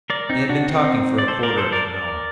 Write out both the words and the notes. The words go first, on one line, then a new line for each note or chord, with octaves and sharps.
They had been talking for a quarter of an hour.
A#4 D5
C4 D#4
D4 F#4
C4 D#4
D5
A4 C5
A#4 D5
A4 C5
A#4 D5
A#4 D5